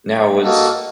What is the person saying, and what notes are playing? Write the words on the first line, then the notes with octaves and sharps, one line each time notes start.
Now was
A#3 F#4 A4 D#5